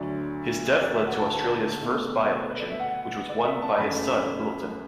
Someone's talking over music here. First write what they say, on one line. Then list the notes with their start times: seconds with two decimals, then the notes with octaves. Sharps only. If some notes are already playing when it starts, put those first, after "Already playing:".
His death led to Australia's first by-election, which was won by his son Littleton.
Already playing: D2 D3 F#3 D5
0.72 E5
0.83 D5
0.95 E5
1.06 F#5
1.19 A5
1.32 A5
1.81 B2 A3
2.50 B4
2.60 D5
2.70 E5
2.80 F#5
3.29 D5
3.46 E5
3.62 A5
3.78 F#2 E3 A3 B5